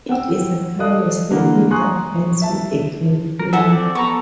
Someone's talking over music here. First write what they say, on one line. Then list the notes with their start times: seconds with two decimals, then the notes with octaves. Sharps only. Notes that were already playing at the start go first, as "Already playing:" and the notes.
It is a colourless liquid that burns with a green flame.
0.09 F#5 G5 E6
0.79 A4 D5 D#5 F5 D#6 F#6
1.31 D3 E3 A#3
1.70 G#5 A#5 C6 C#6 D#6 F#6
2.42 E5 A5
3.39 A#4
3.53 A4 E5 F#5 G#5
3.71 C4 D5
3.95 B3 A4 A#5 C#6